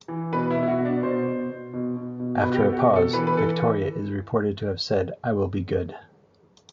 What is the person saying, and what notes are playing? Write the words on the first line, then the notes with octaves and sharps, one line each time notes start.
After a pause, Victoria is reported to have said I will be good.
E3
B2 B4
E4
B2
E4
F#4
B2
D4
B2 C5
B2
B2
B2
B2
B2
B2 B4
G4
A4
B2
F#4
G4
B2
A4
E3 B4
B4
E3 A4